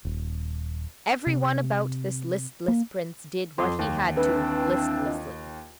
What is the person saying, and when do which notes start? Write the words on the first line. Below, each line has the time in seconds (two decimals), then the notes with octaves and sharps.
Every one about this listless prince did what he had to listlessly.
0.05 D#1
1.27 C3
2.68 A#3
3.58 F2 C6 D6 D#6
3.79 D#2
4.16 E3 C4 D4 A4 B4
5.06 F4 D#5